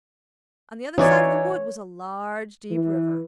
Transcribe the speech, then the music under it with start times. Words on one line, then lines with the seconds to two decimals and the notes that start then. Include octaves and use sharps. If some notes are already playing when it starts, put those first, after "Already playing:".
On the other side of the wood was a large deep river.
0.98 E3 D#4 F#4 C#5 D5
2.71 E3